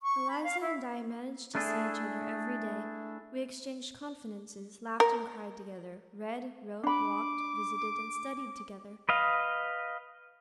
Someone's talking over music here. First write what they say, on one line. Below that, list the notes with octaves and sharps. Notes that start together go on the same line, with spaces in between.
Eliza and I managed to see each other every day; we exchanged confidences, laughed and cried together, read, wrote, walked, visited, and studied together.
C#6
B5
F5
E4
A3 D4 E4 G#4 A4
A#4
D4 B5 D6
B4 D#5 F5